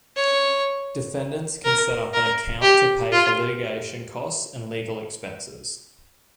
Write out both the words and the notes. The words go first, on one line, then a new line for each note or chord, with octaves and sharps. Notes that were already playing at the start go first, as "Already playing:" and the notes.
Defendants can set up an account to pay for litigation costs and legal expenses.
C#5
A#4
A#4
G4
F4